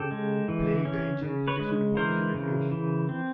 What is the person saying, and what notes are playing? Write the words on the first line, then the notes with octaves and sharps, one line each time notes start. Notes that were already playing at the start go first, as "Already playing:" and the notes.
"Playing the Angel" received positive reviews.
Already playing: C#3 G4 A4
G#3
E3
C#4
C#3
B4 C#5
G#3
E3 A#4 C5
C#3
E3
C4